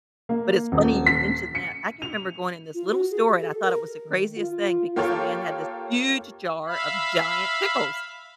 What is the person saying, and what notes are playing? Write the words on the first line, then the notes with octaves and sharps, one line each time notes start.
But it's funny you mentioned that. I can remember going in this little store and I thought it was the craziest thing because the man had this huge jar of giant pickles
A#3
D#1
B6
C#7
F7
F4
F#4
G#4
G4
A4
A#4
D#3
F4
A#3 F4 G4 A4 C#5
E5 F5 B5